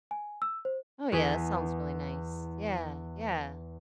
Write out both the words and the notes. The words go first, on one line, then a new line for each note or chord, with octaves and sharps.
Oh, yeah, that sounds really nice. Yeah, yeah.
G#5
E6
C5
E2 G#4 B6